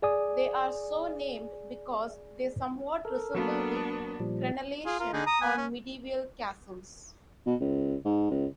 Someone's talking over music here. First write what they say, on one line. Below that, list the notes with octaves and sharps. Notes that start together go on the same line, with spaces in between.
They are so named because they somewhat resemble the crenellation on medieval castles.
G#4 D5 G#5 D#6
A4 A#4
F#3 A#3 B3 D4
A#2 F3 G3
F4 G#4
F4 A#4
D3 D#4 G#4
A#5 D#6
B3 G#5
C#4
B2
C#2
G#2
C#2